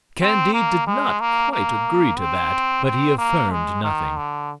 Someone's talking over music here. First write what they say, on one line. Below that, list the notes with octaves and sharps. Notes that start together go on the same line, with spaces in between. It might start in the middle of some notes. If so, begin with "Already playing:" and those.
Candide did not quite agree to that, but he affirmed nothing.
C4
A#3
G#3
A#3
A#3
C4
C4
A#3
G#3
D#3
D3